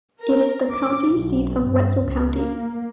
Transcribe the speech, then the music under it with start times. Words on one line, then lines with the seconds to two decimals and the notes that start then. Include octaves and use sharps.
It is the county seat of Wetzel County.
0.20 A#4
0.71 D6
1.15 B1
1.66 G2
2.04 C#2
2.35 A#3